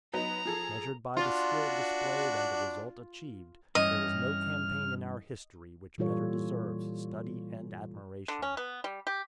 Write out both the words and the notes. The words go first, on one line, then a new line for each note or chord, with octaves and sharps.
Measured by the skill displayed and the result achieved, there is no campaign in our history which better deserves study and admiration.
F#3 B3 D#4 A#5
F3 G#4 A4
D4 F4 F#4
G2 E3 C#4 D#5 F6
A#2 E3 G3 F4 A4 C#5
D3
C#4
B3
G3
G4